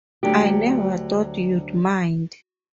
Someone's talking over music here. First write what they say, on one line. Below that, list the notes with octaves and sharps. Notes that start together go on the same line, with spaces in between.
I never thought you’d mind.
D2 F#3 D4 G4